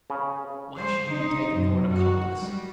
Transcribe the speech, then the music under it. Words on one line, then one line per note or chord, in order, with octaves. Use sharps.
"Why should you be taken for an accomplice?"
C#3
C5
D#4
F#2
F#4
G3